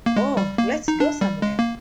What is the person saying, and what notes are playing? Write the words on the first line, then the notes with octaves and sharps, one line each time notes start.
Oh, let's go somewhere!
A#3
G#3
G3
A#3
D#4
D4
G3
G#3
A#3